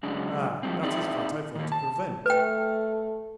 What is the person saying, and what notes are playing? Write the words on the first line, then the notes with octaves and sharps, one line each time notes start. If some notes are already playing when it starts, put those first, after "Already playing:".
"Ah! dat is vat I vant to prevent."
F#2 C#3 G#3 D4
F3 G3 G#3 C4
C4 D#4 E4 G#4 D5
D#3 A#3
A5
A3 B4 G5